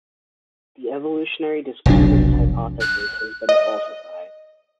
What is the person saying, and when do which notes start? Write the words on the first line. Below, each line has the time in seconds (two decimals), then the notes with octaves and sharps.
The evolutionary discordance hypothesis has been falsified.
1.86 F1 B1 F#3 D4
2.81 F#6
3.49 D#5